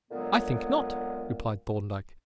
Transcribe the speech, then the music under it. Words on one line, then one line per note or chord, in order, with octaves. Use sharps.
"I think not," replied Thorndyke.
A#2 D3 F#3 G#3 B3